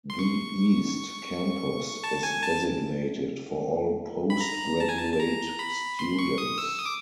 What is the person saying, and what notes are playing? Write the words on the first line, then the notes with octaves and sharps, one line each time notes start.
The east campus is designated for all postgraduate students.
C6
C#6
A5
G#5
A5
B5
A#5
A5
G#5
A5
A5
A#5
B5
C6
C#6
D#6
E6
D#6
D6